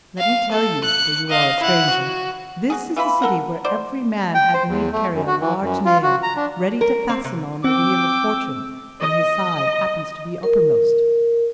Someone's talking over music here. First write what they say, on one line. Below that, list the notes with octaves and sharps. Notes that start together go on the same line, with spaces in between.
Let me tell you--for you are a stranger--this is a city where every man had need carry a large nail ready to fasten on the wheel of Fortune when his side happens to be uppermost.
F5
A4
F#6 C#7
D#5 F5
E4 F#5
F#4
F#4 G#4
E3 F4 E5 B5
A4 A#4 F#5
C5 D5
G5
C5
E2
A3
F#2
F#4
E3
F#2
F4
F#4
A#5
D4
A#4
C4
C3
C4 G5 D6 E6
D#5
A#4